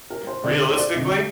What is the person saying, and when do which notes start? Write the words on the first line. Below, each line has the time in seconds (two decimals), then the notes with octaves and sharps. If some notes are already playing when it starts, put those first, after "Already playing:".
Mm. Realistically?
0.10 A#4
0.27 C5
0.44 F2 D3 D5
0.60 D#5
0.70 C5
0.77 D5
0.94 F2 D3 D#5